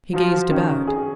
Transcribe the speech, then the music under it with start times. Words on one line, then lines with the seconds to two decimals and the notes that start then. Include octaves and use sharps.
He gazed about.
0.13 F3 F#3
0.50 D#3 C#4
0.87 G#4